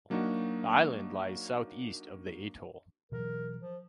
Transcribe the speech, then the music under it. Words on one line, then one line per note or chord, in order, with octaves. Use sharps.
The island lies the south east of the atoll.
F#3 A#3 D4 D#4 F#4
B2 E3 F#3 A#4
F3